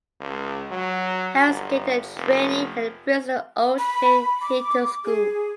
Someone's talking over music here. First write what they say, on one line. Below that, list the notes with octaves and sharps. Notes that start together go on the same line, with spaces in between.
Harris gained her training at the Bristol Old Vic Theatre School.
C#2
F#3
G1
F1
B5
D6
G#4